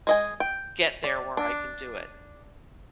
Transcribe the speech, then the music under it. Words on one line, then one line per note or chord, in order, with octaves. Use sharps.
get there where I can do it.
G#3 D#5 G#5
G5
D5
D4